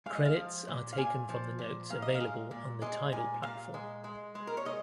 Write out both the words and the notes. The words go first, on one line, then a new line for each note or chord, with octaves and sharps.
Credits are taken from the notes available on the Tidal platform.
G#3 F5
D#5
F5
F3
A#2
F5
A#2 G#5
F3
A#2
A#2 F5
D#5
F5
G#3
A#2
G#3 D#5
A#2 G#5
A#2 F5
G#3
G#3
G#3
A#4
C#5
G#3 D#5